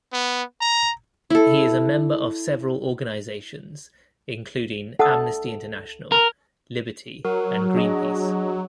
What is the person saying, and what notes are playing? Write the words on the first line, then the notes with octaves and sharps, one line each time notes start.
He is a member of several organisations including Amnesty International, Liberty and Greenpeace.
B3
A#5
E4 A4
A4 F#5 A5 D#6
A#4
F#3 A#4
D4 G#4 D#5